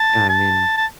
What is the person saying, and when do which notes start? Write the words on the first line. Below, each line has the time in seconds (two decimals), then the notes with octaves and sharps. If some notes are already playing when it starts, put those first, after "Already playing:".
Yeah, I mean
Already playing: A5
0.29 A5
0.77 A5